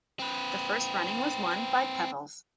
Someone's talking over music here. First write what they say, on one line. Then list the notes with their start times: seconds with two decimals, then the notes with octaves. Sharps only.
The first running was won by Pebbles.
0.19 C4 B4